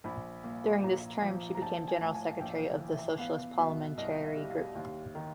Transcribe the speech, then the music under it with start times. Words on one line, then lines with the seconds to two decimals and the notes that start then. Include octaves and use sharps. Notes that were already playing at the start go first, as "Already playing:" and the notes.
During this term she became general secretary of the Socialist parliamentary group.
0.04 A#1 B5
0.44 A#2
0.83 A#1 A#5
1.22 F3
1.55 A#5
1.62 A#1 A5
1.88 G#5
2.00 A2
2.14 G#5
2.40 A#1 G5
2.67 F5
2.79 E3
2.92 E5
3.18 B3 F5
3.58 B2 E5
3.97 C2 D#5
4.24 E5
4.37 G3
4.49 F5
4.75 D#2
5.15 D#3